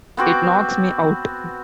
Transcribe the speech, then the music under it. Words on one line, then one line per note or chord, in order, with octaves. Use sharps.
It knocks me out.
B3 C4 F#4 D6